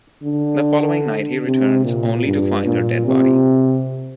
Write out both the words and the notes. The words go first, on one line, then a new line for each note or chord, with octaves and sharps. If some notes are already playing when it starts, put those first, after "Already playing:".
The following night he returns, only to find her dead body.
D3
C3
A#2
G2
A#2
C3